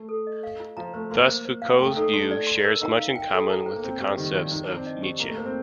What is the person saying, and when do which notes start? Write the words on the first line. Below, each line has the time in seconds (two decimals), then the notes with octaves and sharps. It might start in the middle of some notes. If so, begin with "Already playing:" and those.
Thus Foucault's view shares much in common with the concepts of Nietzsche.
Already playing: A3
0.09 A4
0.27 D#5
0.43 F5
0.60 F4
0.77 F3 A#5
0.94 A3 C5
1.11 A#3 C6
1.28 C5
1.45 C5
1.62 F5
1.79 A3 G5
1.96 D#4 A4
2.13 D4 C6
2.31 D5
2.47 C6
2.64 A#4
2.81 D#4 A#4
2.98 F5
3.16 G5
3.33 A4
3.50 A#5
3.66 C5
3.76 A#3
3.83 C4 G5
4.00 G3 G4
4.18 D#3 G4
4.34 F3 D5
4.51 D#4 C5
4.63 D4
4.69 C4 D#4
4.86 D#5
5.03 G4
5.20 A#3 A#5
5.28 A3
5.37 A#3 C5
5.46 C4